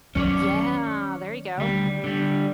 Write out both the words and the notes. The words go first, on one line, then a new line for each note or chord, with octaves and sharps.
Yeah, there you go.
D#3 F#3 C#4 C#5 D5
D2 G3
D3 G3